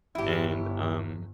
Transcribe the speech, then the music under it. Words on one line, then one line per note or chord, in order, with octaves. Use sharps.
And, um,
G1 E4 G4